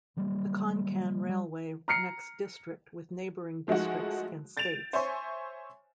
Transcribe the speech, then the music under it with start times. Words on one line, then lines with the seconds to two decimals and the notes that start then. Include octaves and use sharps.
The Konkan railway connects district with neighboring districts and states.
0.17 C#3 F#3 G3 A#3
1.29 G3
1.88 A#5 F6 C7 C#7
3.68 F3 G#3 A3 D#4 F#4
4.57 G6 A6 D7 E7 F7
4.93 C5 C#5 E5 G#5 C6 C#6